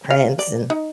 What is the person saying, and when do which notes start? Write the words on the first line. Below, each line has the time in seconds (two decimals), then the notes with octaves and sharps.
Prince and,
0.10 F5
0.39 D5
0.70 D#4